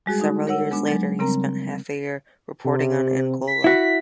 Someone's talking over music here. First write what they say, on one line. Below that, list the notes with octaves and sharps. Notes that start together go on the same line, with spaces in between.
Several years later he spent half a year reporting on Angola.
G3 G#3 F#4 G#4
G#3 D#4 F#4
A#4 C#5 F#5 E6
G#3 B3 D4
F#3 G#3
C#3 G3 C4 A#4 A#5
C3
B6
E4 F#4